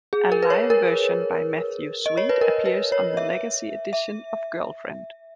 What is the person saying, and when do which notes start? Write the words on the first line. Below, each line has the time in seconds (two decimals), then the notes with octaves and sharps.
A live version by Matthew Sweet appears on the Legacy edition of Girlfriend.
0.13 G#4
0.32 A#4
0.43 B4
0.50 C#5
0.70 A#4
2.06 D#5
2.17 C#5
2.29 B4
2.41 A#4
2.66 B4
2.92 C#5
3.17 E5
3.93 E5